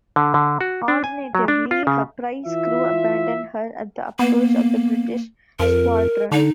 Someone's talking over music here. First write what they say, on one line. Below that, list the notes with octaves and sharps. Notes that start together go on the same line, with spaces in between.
Alternatively, her prize crew abandoned her at the approach of the British squadron.
D3
D3
F#4
D4
G#5
F#3
D4
F4
C#3
E3 F4 E5
A#3 B3
F2 A#4
D3 D#4